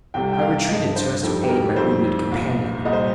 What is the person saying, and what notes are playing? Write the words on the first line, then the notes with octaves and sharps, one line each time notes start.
I retreated, so as to aid my wounded companion.
C2 C3 G3 G5
G5
F5
G2 F3 D#5
C5
F2 D#3 G3
G4
A#4
F2 D#3 G3 C5
C2 A#2 F3
C2 A#2 G3 D#5
C5